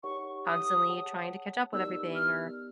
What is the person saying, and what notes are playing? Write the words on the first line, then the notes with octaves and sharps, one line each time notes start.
constantly trying to catch up with everything or,
D#4 G4 A#4 C#5 F#5 C#6
D#6
G#4 C#5 F#5 A5
B3 D#4 G4 A#4 D5 E6
F6